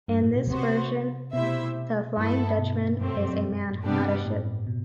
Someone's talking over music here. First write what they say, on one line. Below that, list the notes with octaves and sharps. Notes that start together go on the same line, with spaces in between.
In this version, the Flying Dutchman is a man, not a ship.
G2
A2
B2
C3 B3 F#4 C5
B2 A3 E4 G4 C5 E5
G2 B3 E4 A4
B2
F#2 C3 F#3 A3 C4 G4
A2
G2 C3 G3 B3 D4 G4
A2
B2